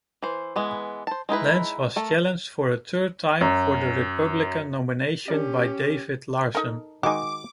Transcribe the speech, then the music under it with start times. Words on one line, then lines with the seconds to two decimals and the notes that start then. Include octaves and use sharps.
Lance was challenged for a third time for the Republican nomination by David Larsen.
0.22 E3 C5
0.56 E3 G#3 B3
1.07 C5 A5
1.29 G#3 D#4 E4 B4
1.96 A3 A4 A#4
3.41 F#2
5.28 C#4 D4 G4 A#4 D5
6.55 D#4 A4 A#4
7.03 D#3 G#3 D#4 F#4 G#5 D6